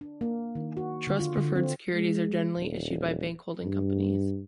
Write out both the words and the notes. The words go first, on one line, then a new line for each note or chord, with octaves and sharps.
Trust-preferred securities are generally issued by bank holding companies.
D4
A#3
D#3
F#4
D3
F4
D3
C4
G#3
D#1
G2